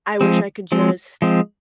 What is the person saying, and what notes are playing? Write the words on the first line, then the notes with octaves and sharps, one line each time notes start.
I wish I could just,
F3 G#3 C4
F3 G#3 C4
F3 G#3 C4